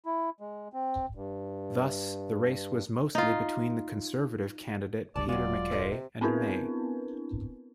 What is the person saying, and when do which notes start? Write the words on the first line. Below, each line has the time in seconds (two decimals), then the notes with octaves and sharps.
Thus, the race was mostly between Conservative candidate Peter MacKay and May.
0.06 E4
0.40 G#3
0.73 C4
1.15 G2
3.15 D#4 F4
5.16 F1 C#2 G2 D5 A5
5.29 E1 F#3 G#3 F4 D5
5.71 A4 C5 D#5
5.91 C3
6.21 B3 C4 D4 E4 A#4 B4